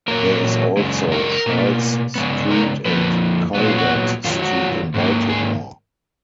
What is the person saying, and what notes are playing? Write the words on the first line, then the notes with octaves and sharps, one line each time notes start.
There is also Charles Street and Calvert Street in Baltimore.
A#2 F#3 A#3 A#4
F#2 C#3 G#3
A#4
B2 A#3
C#3 G#3 B3
A#4
F2 F3 A#3 B4
A#2 F#3 B3
F4
F#4
F#2 D#3 F#3 F4
F#4
G#2 D#3 A#3
G#4